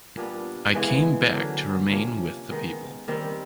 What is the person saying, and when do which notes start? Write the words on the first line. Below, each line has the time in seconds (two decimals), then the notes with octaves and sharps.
I came back to remain with the people.
0.17 A#2 G3 B3 D4
0.75 C#3 E3 G#3 B3
1.33 D3 F#3 A#3 C#4
1.91 C3 F3 A#3 C#4
2.49 D#3 G#3 B3
3.08 D#3 G3 C4